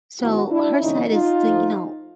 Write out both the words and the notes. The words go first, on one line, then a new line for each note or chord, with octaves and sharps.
So, her side is the, you know
G#2 D#3 G#3 B3 E4 F#4
D4 E4
F2 C3 D#3 G3 A#3 C#4 D#4
D#4 F4
G#2 F3 A3